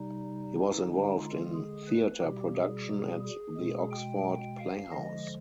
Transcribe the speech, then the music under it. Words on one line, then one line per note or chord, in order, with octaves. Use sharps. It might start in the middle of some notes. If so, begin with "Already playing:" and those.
He was involved in theatre production at the Oxford Playhouse.
Already playing: C3 G3 D#4
D3 G#3
F4
G#4
B4
B2 G3 G4
G#4
G#4
B2 G#3
G5
G5
F5
D3 F3 G#3 D#5